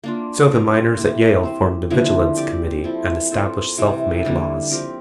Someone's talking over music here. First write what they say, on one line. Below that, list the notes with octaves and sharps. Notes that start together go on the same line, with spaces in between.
So the miners at Yale formed a vigilance committee and established self-made laws.
A#3 D4 F4
C4 F4 A#4
A#3 E4 G4
C4 G4 C5
D3 F3 A#3 E4
C4 G4 D5
F3 C4 E4 A4
C4 F4 A4 C5
C3 E3 G3
D3 G3 A#3 E4
F3 C4 G4 A#4